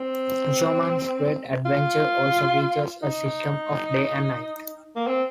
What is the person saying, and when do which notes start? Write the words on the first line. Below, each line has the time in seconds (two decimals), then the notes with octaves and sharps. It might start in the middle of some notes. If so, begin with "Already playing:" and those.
"Goemon's Great Adventure" also features a system of day and night.
Already playing: C4
1.66 F4
3.03 D#4
4.96 A#3
5.08 C4